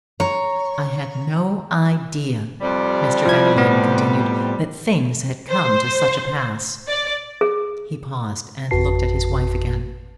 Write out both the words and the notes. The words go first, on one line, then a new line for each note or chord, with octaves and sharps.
"I had no idea," Mr. van der Luyden continued, "that things had come to such a pass." He paused, and looked at his wife again.
C#5 A#5
F2 C3 G3
F3 E4 G#6
A2 B3
C5
D5
G#4
G#1 F2 F#4 B4 A5 C7